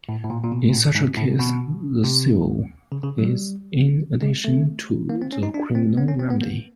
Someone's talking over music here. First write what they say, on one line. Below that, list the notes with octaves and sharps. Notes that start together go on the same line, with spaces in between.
In such a case, the civil is in addition to the criminal remedy.
A2
A2
A#2
A#2
B2
A#2
A2
G#2
A2
B2
C3
C#3
C#3
F#3
G3
G#3
A3
A#3
C4
C#4
D#4
D4
C4
B3
C#4
C4
B3
A#3